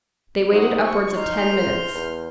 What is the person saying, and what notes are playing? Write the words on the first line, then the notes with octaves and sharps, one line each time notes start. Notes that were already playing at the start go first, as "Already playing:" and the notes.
They waited upwards of ten minutes.
C3 D#4 E4 F#4
C#6
D#4 C6 F6 G6
G#2
E2